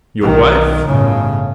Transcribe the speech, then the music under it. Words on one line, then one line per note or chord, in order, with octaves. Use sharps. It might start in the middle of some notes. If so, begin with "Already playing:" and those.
"Your wife?"
B1 D#3
G1 A2 C#3